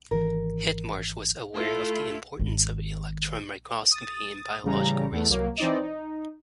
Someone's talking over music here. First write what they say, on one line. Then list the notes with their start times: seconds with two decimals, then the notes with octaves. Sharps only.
Hindmarsh was aware of the importance of electron microscopy in biological research.
0.11 G#1 D#3 E3 A#4
1.54 A3 E4 F4 A4
2.39 G#1 D#3
3.91 D#6 A6
4.63 A1 C#3 G3 A#5
5.12 E2 A3
5.29 C2 F#3 A#3
5.57 E3 C4 D#4 D5 D#5
5.80 D#4